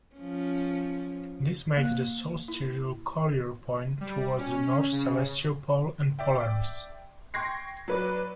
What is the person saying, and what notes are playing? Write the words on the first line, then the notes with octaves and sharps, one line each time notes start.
This makes the solstitial colure point towards the North Celestial Pole and Polaris.
F3 C#4
A#3
E4
G3
C#4
C#3
D5 E5 G5
G5 C6 C#6 G#6 A#6 C7
F#3 B4 D5